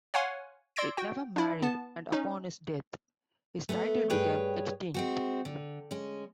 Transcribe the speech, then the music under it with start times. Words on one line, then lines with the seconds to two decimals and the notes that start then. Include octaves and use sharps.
He never married, and upon his death, his title became extinct.
0.14 C#5 F5 F#5 G#5 C6
0.76 D5 C6 E6 G#6 A#6 D7
0.97 F#4 G5
1.36 D4 E4
1.62 B3 A5
2.12 C#4 D#4
3.69 A3 B3 G#4 A4
4.10 G2 G#4 B4 C#5 G5
4.94 G#3 C4 F#4
5.45 D3
5.91 G#3 C#4